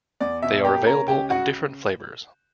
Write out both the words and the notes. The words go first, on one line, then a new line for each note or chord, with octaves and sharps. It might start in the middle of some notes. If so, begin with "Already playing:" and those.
They are available in different flavors.
E2 D5
B2 E5
A#3 G4 G5
C#4 A#4 A#5
C#2 G4 G5
C#3 F#4 F#5